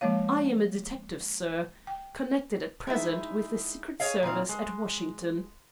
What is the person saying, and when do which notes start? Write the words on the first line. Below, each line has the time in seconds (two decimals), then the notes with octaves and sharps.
I am a detective, sir, connected at present with the Secret Service at Washington.
0.01 F3 G#3 A#3 C#5 F5
1.87 G5
2.87 G#3 D#4 E4
4.00 G#4 A#4 C#5 D#5 F5
4.23 A#2 D#3 C4 F4
4.49 G#3